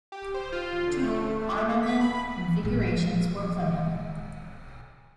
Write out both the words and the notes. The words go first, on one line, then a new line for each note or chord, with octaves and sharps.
Two armament configurations were planned.
G4
C5
F4
D3
A3
A3
B6
B5
A#2 G#3